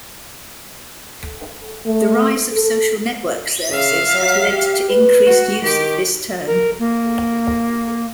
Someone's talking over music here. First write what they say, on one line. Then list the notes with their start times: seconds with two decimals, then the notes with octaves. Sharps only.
The rise of social network services has led to increased use of this term.
1.86 A3
2.53 A4
3.70 C#3 E5 F5
4.15 F#3
4.51 G4
4.90 B4
5.25 F#4
5.63 D#3 G4
6.47 A#4
6.79 A#3